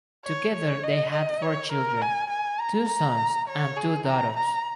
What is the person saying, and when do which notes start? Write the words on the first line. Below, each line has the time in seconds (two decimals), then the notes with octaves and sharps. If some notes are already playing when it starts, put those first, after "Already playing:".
Together they had four children; two sons and two daughters.
0.25 C#5
0.54 C#5
0.84 D#5
1.13 D#5
1.42 C#5
1.73 A#4
2.02 G#5
2.31 G#5
2.60 A#5
2.89 A#5
3.49 C#5
3.77 G#4
4.07 A#5
4.37 A#5